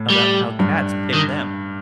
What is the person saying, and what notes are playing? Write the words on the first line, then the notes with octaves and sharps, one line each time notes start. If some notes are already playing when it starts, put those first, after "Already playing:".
about how cats pick them.
Already playing: A2
G3
G2
D#3